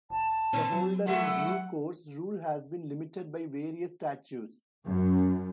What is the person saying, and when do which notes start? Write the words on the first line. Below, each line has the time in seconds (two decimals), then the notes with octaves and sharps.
The holder in due course rule has been limited by various statutes.
0.10 F1 A5
0.53 A#2 B3
0.73 F#3
1.06 A2 G#3 E5 F#5
4.85 F#2